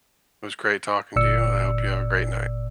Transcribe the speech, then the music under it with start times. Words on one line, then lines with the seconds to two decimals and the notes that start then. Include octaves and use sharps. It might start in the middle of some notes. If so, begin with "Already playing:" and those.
It was great talking to you, and I hope you have a great night.
1.16 G1 A#2 D5 E6 C#7